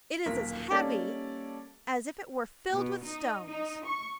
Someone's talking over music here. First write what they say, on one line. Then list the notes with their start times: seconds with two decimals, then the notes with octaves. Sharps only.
It is as heavy as if it were filled with stones!
0.26 D#1 B1 A#3 F4 A#4 B6
0.70 G3 A#3 C#4 D#4 A4 D5
2.72 B2
3.04 D#4
3.47 D#4
3.85 C#6